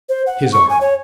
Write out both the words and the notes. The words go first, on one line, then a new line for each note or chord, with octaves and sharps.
His arm.
C5
F#5
C#6
G#5
C#5